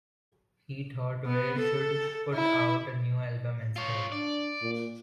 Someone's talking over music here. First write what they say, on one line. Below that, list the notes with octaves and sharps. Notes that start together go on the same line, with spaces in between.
He thought we should put out a new album instead.
B3
A4
E4
F4 C#5
D4 D5
A#2